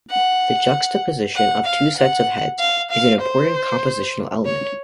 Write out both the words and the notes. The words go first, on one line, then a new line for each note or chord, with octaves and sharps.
The juxtaposition of two sets of heads is an important compositional element.
F#5
F#5
F5
F#5
F5
F5
C5
C#5